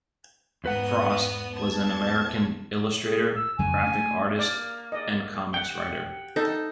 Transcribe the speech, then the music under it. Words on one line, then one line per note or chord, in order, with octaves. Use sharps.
Frost, was an American illustrator, graphic artist and comics writer.
E2 G#2 B3 B4 F#5 D#6
A5 G#6
G#4
E6
F2 C#3 F#3 G#5
A3 C#4
A#3 D5
D5 D#5
G4 F#5 G5
D#4 A4